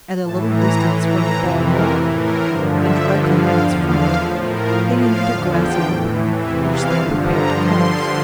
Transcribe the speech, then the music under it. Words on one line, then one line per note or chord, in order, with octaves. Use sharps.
At a little distance from a bald rock, and directly in its front, they entered a grassy opening, which they prepared to cross.
A2 E3 A5
A#5
A2 E3 C6
A#5
F2 C3 E3 C5
A#4
A2 E3
A#4
G2 D3 F3 C5
E5
G2 D3 F3 G5
F5
E2 D3 F3 G5
F5
A2 F3 E5
A#4
A2 F3 F5
F5
E2 D3 F3 F5
G5
A2 E3
E2 C3 E3 E5
F5
G2 D3 F3 A5
A#5
G2 D3 F3 C6